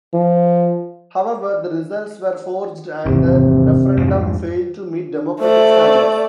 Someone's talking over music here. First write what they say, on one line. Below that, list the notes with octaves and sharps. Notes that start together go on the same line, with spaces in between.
However, the results were forged and the referendum failed to meet democratic standards.
F3
G#1 E2 C3
F2 G#2 F3
A3 C5 D5